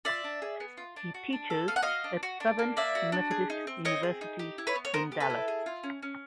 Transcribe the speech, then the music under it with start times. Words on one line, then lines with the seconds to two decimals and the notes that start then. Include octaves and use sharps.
He teaches at Southern Methodist University in Dallas.
0.05 F4 D5 E5
0.24 D4
0.42 G#4
0.60 B3
0.77 F4
0.96 D4
1.14 F#4
1.33 D4
1.50 A4
1.68 B3 F5
1.76 F#5
1.82 F#4 D#5 F5
2.04 D4
2.23 F#4
2.40 D4
2.59 A#3
2.76 A#3 D5 E5
2.95 F#4
3.12 D4
3.31 G#4
3.50 D#4
3.67 C4
3.85 C4 C#5 D#5
4.03 G#4
4.21 D#4
4.39 G4
4.58 E4
4.67 B4 C#5
4.75 B3
4.85 C#5
4.94 B3 A#4 C5
5.12 G4
5.20 A4 B4
5.30 E4
5.48 G#4
5.66 F4
5.84 C#4
6.02 C#4